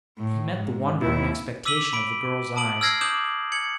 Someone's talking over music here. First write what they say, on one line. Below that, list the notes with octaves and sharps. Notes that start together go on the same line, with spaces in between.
He met the wonder and expectation of the girl's eyes.
A2
G#2
D#2 E4
D6 E6 B6 D#7 F#7 G7
B5 D7
A5 D#6 D7 F#7
E6 F6 G#6 A#6 C7
D6 D#6 G6 E7 F#7
G#6 C#7 F#7